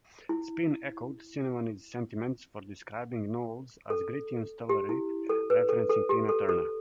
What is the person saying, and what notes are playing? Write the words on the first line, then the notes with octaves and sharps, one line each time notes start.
"Spin" echoed Cinquemani's sentiments by describing Knowles as "gritty and sultry", referencing Tina Turner.
E4
A4
G4
E4
A4
B4
A4
A4
G4
A4
A4